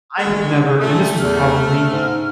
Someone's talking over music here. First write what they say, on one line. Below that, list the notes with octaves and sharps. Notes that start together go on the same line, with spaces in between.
I have never, and this was probably
G#3 A3
A#2 A3
E2 F6
G#2